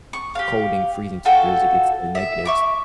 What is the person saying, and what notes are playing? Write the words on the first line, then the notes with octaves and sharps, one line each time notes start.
cold and freezing temperatures. It gets to the negatives,
C#6
G4 F5
F4 F#4 A4 G5
E5
E5 C#6 D6